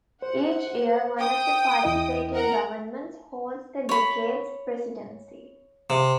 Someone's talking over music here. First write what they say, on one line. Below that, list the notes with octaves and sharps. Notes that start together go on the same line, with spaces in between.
Each year, one of the participating governments holds the Decade's Presidency.
C5 F#5
G5 D#6
E2 E4 D#5
A#4 F#5 A#5
C#5 B5
C3